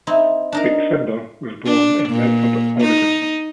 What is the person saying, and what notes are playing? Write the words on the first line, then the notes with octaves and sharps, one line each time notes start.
Vic Snyder was born in Medford, Oregon.
C4 D#4 E4
D4 D#4 A#4
D4
A#2
D#4